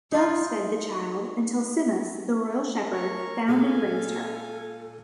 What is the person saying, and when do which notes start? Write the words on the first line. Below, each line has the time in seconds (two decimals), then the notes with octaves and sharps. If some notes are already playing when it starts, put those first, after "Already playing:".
Doves fed the child until Simmas, the royal shepherd, found and raised her.
0.12 D#4 F4
2.92 A3 A#4 C#5 C#6
3.48 A#2 G#3 A4 F5 G#5